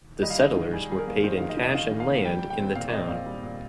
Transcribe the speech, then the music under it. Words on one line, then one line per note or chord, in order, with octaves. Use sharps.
The settlers were paid in cash and land in the town.
G3 D#5
F5
D#3 D#5
F5
D#3
G3 G#4
G3 G#4
A#4
A#3
D#3 C5
D#3 F5
D#5
D#3
D#5
D#3 F5
D#3
F5
A#3
G3 G5
G3
G5
C4
A#2 F5
D5
C4 D#5
A#2 F5
G3
A#2